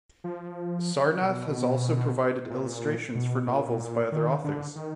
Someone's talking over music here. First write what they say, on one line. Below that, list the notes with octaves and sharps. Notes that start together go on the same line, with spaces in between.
Sarnath has also provided illustrations for novels by other authors.
F3
B2
A#2
B2
A#2
B2
A#2
D#3
D3
D#3